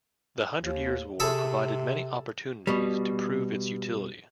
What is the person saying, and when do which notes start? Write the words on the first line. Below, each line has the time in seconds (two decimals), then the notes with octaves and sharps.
The Hundred Years War provided many opportunities to prove its utility.
0.63 D#2
1.20 C3 G#4 A4 E5
2.67 B2 G3